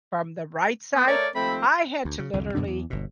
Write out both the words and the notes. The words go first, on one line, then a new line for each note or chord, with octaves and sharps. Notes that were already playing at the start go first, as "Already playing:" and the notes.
from the right side, I had to literally
B3
A3 A#4 C#5 D5
D#2 F3 A3 C4 B5
D2
C#3
C2 F2 D3
F#2 B2 D3 D4
E2
G1 B2